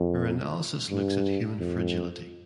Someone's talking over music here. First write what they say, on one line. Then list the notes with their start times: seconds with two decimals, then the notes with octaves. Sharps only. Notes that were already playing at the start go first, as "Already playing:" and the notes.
Her analysis looks at human fragility.
Already playing: F2
0.90 G2
1.60 F2